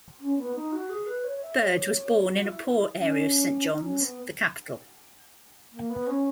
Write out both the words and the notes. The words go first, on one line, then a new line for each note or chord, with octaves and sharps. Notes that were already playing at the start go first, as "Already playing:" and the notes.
Bird was born in a poor area of Saint John's, the capital.
C#4
B3
D#4
F#4
G#4
B4
C#5
E5
C#5
F#4
E4
E4
C#4
D#4
C#4
B3
A#3
B3
C#4